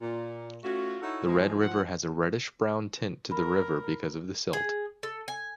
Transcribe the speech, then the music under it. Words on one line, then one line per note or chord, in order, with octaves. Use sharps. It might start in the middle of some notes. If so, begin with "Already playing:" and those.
The red river has a reddish-brown tint to the river because of the silt.
A#2
A3 C#4 F4 F#4
D#4 E4 F#4 A4 C#5 E5
E3 F3 G#3
F3 F#5
A#4 B5
G#4
A4
G#5